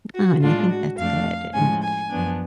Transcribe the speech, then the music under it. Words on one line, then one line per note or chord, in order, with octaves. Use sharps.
Oh, and I think that's good, and,
F#4
A2 G#3 D4 F4
F#4
F2 F3 A3 D4 F5
A2 F3 G#3 C#4 G#5
G#5
F#2 F3 B3 D4